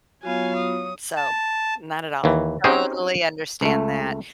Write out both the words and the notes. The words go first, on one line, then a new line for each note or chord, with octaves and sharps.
So, not at all. Totally understand that.
F#3 B3 F4 F#4 C#5 F5 G#5
D#6
A5
D#2 E3
C4 C#4 D#4 G4 G#4 C5
C#2 A3